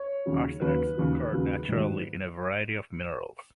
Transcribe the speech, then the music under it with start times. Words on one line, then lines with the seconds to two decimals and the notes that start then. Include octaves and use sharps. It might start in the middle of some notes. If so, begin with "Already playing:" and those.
Arsenates occur naturally in a variety of minerals.
Already playing: C#5
0.26 D#2 C#3 F#3
0.62 D#2 C#3 F#3 B4
0.97 D#2 C#3 F#3
1.32 D#2 C#3 F#3
1.68 G#2 D#3 F#3